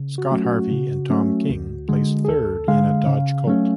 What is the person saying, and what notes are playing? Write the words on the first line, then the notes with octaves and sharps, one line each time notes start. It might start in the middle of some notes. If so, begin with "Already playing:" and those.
Scott Harvey and Tom King placed third in a Dodge Colt.
Already playing: C#3
F#4
F#3 A3 C#4
F#4
C#3
F#3 A3 C#4
D2
D3 G#3
G#4
D2 A4
D3 G#3 F5
C#3
F#3 A3 C#4